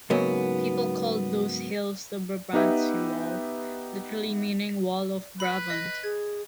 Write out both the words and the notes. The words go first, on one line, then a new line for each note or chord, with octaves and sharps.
People called those hills the "Brabantse Wal", literally meaning "wall of Brabant".
G#2 C#3 F#3 A#3 B3
B3 D#4 G4 B4 E5
B4 B5
D#5
G#4 G#6